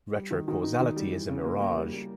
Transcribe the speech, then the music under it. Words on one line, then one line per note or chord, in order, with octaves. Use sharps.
Retrocausality is a mirage.
G3
D#3
D#3
D#4
D#3
G3
E3
C#3
A#3
A#3
G3
G3